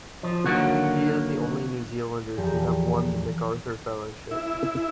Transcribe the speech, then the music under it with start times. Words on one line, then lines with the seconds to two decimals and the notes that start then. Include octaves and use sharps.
He is the only New Zealander to have won the MacArthur Fellowship.
0.23 F3
0.46 D3 D#3 F#3 A#3 F#4
2.37 E2 F3 G4 A4 G5 A#5
4.31 E4